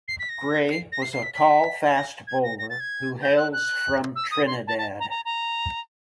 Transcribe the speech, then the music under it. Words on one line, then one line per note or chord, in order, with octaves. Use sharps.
Gray was a tall fast bowler who hails from Trinidad.
C7
B6
A#6
C7
A#6
C7
C7
B6
B6
A#6
G#6
A#6
A#6
A6
G#6
G6
F#6
F#6
E6
D#6
C6
A5
A5
A#5
A#5
A#5